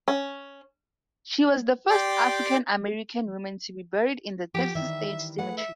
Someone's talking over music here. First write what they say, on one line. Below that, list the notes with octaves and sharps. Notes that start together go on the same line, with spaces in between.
She was the first African-American woman to be buried in the Texas State Cemetery.
C#4
G4 D5 G5 C6 D6
F3 F#4 G4
D#3 E3 G3 E5
A3 G#4 B4 F#5
E5